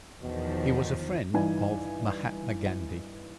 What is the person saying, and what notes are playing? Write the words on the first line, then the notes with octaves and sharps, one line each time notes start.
He was a friend of Mahatma Gandhi.
E2 B2 D#3 F3
G2 E3 D#4 D5 G#5